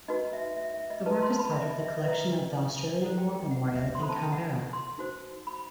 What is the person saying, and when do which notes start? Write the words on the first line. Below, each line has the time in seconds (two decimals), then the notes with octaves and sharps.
The work is part of the collection of the Australian War Memorial in Canberra.
0.08 D#4 F#4 B4 D#5
0.33 E5
0.57 E5
0.74 E5
0.90 D#5
1.06 E4 B4 A5
1.22 C6
1.32 A5
1.39 B5
1.56 E5
1.67 D#5
1.80 E5
1.91 D#5
2.04 E4 B4 E5
3.02 E4 A4 C5 F#5
3.18 G5
3.35 G5
3.51 F#5
3.68 F#5
3.76 E5
3.95 C6
4.00 E4 A4 C5 B5
4.09 A5
4.16 G5
4.33 F#5
4.73 C6
4.98 D#4 F#4 C5
5.47 B5